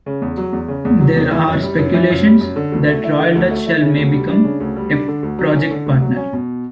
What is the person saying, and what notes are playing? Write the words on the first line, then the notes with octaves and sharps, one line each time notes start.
There are speculations that Royal Dutch Shell may become a project partner.
C#3
E2
F#3
E2
C#3
E2
F#3
E2
E3
F#2
G3
F#2
E3
F#2
G3
F#2
D3
D2
A3
E4
D3
D2
A3
E4
C#3
D2
G3
D4
C#3
D2
G3
D4
D3
D2
F#3
C#4
D3
D2
F#3
C#4
B2